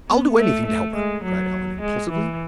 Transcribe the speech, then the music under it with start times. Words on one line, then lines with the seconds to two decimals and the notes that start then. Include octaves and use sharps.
"I'll do anything to help her!" cried Allan, impulsively.
0.08 B3
0.37 A3
0.66 A3
0.94 G#3
1.24 F#3
1.81 G#3
2.11 E3